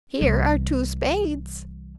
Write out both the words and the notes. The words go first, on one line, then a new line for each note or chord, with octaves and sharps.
Here are two spades.
C2 E3